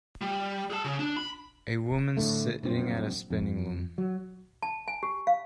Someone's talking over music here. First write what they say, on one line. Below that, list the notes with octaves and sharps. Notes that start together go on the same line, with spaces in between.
A woman sitting at a spinning loom.
G3
G#4 A5
C#3
D4
B5
A2 D3 A3
F1 A#1 F#2 C4
F2
F#3
A5
G#5
G4
F5